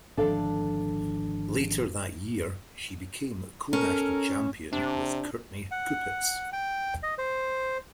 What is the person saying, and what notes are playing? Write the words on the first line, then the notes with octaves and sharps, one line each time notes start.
Later that year, she became co-national champion with Courtney Kupets.
G#1 D3 F3 D4 A4 F5
C#4 A4 A#4
C3 D4
F#5
G5
D#5
C5